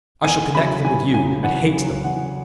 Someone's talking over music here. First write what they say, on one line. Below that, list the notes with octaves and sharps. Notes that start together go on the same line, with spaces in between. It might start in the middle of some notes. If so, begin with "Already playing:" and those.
'I shall connect them with you, and hate them.'
E2 G#5
C#3 F#3 B5
E2 G#5
C#3 F#3 G#5
E2 F#5
C#3 F#3
E2 F#5